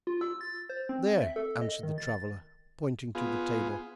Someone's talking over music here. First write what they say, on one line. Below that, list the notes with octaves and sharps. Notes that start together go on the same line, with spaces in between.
"There," answered the traveler, pointing to the table.
F4
E6
A6
C5
C4
E5
A4
D#5
D#3
A6
B3 F4 G#4